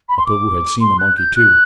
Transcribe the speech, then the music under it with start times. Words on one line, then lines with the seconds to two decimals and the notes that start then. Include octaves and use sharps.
Otobu had seen the monkey too.
0.08 B5
0.17 C6
0.26 D6
0.80 C6
0.98 F#6
1.16 G6
1.35 F#6